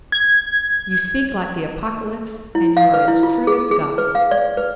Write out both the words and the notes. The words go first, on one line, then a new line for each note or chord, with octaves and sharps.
You speak like the Apocalypse, and you are as true as the Gospel.
G#6
E4
F5
B4
E4
F4
G#4
G#4
B4
F5
D5
B4